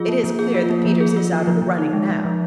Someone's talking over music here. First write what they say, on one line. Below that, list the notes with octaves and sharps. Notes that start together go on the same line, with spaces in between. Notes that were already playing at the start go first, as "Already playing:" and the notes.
It is clear that Peters is out of the running now.'
Already playing: F3 F4 G#4
A#3
F3
G#4
F4
A#3
F3
G#4
F4
A#3
F3
F3
D#4
G#3
F3
F3